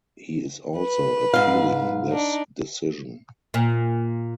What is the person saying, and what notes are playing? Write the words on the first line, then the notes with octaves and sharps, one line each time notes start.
He is also appealing this decision.
B4
G#2 F5
D4 D#4
A#2